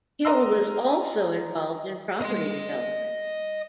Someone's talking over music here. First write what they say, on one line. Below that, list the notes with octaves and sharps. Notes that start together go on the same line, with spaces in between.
Hill was also involved in property development.
A#4 D#5 A#5 C6 E6
D#5 C6